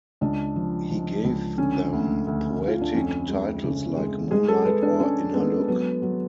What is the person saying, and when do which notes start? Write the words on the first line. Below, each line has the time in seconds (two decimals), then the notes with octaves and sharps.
He gave them poetic titles like "Moonlight" or "Inner Look".
0.21 C#2 D4
0.56 F3
0.90 F3
1.24 C#2
1.58 D3 C#4
1.92 D2
2.27 D2
2.60 D2
2.68 F4
2.81 D4
2.94 F2 C#4
3.28 G#3
3.63 C#3
3.97 G#3
4.31 G#3 G#4
4.48 A4
4.65 G#3 B4
4.82 D4
5.00 G#3 C#4
5.34 G#3 B3
5.68 F#3 B3
6.02 F#3